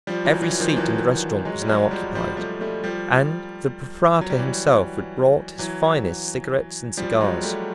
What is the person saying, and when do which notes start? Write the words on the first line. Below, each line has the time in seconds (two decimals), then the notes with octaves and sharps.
Every seat in the restaurant was now occupied, and the proprietor himself had brought his finest cigarettes and cigars.
0.07 F3 G3
0.25 E3 F#3
0.42 E3 F#3
0.60 D#3 F3
0.76 E3 F#3
1.45 F#3 G#3
1.62 G3
1.68 F#3 G#3
1.91 F3 G3
2.15 F3 G3
2.37 G3 A3
2.61 G3 A3
2.84 F3 G3
4.21 F#3
4.30 G3
4.38 E3 F#3
5.59 E3 F#3
6.97 F3 G3
7.20 F#3 G#3
7.43 G3 A3